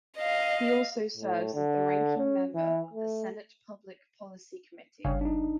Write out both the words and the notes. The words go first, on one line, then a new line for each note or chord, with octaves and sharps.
He also serves as the ranking member of the Senate Public Policy Committee.
D#5 F5
A2
D3
C#4
E3
A3
G1 C#3 F5
D4 D#4